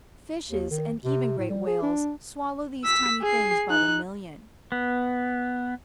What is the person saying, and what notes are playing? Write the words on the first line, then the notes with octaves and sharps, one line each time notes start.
Fishes, and even great whales, swallow these tiny things by the million.
D#2
D#3
C3
A2
G3
G#4
D4
E6 B6
G#4 C7
D#4 F#6
B3